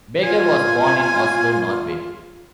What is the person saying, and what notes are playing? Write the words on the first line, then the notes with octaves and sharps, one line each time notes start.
Backer was born in Oslo, Norway.
F4 G#5